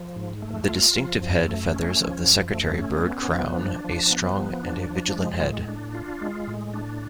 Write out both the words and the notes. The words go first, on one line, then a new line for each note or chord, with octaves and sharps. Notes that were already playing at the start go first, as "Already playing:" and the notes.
The distinctive head feathers of the secretary bird crown a strong and vigilant head.
Already playing: F3
G#2
A3
F4
F3
F#2
A3
C#4
F3
F#2
A3
C#4
B3
F3
D4
F3
B3
F3
D4
F3
G#3
A2
D4
F4
G#3
A2
D4